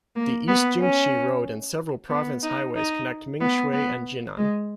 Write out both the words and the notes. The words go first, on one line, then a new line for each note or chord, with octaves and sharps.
The East Jingshi Road and several Province Highways connect Mingshui and Jinan.
A#3
B3
C#4
B3
D#4
D#4
B3
B3
G#3